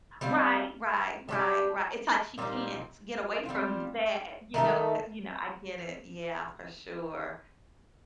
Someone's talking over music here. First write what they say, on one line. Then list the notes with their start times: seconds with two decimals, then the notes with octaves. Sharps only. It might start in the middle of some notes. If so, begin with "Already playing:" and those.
Right, right, right, right, it's like she can't get away from that, you know, 'ca you know, I get it, yeah, for sure.
0.21 G3 C4 F4
1.29 G3 D4 G4
2.38 A#2 G3 C4 D#4
3.45 G3 C4 F4
4.54 D#3 A3 D#4 A4